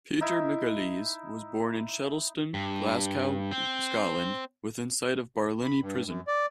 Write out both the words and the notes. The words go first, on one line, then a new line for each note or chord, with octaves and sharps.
Peter McAleese was born in Shettleston, Glasgow, Scotland, within sight of Barlinnie Prison.
D#4 E4
G2
C4
B5
G2
F#2
D5